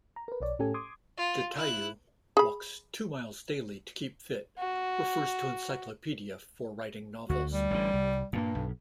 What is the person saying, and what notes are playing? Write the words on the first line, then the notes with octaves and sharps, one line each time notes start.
Jatayu walks two miles daily to keep fit, refers to encyclopaedia for writing novels.
A#5
A#4 B4
B1 C#5 D5
A2 C#4 G4 A4 G#5
C6 D6 D#6 G#6
F4
E4 F#6
G#4 B5
F#4
D2 F#4
G3
A1 D3
C2
G2 A#2 C#3 A#3
B1